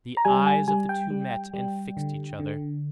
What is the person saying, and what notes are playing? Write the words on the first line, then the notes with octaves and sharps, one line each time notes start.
The eyes of the two met and fixed each other.
A#5
G3 G#5
G#5
G3 G#5
G5
G3
G3
D3
D3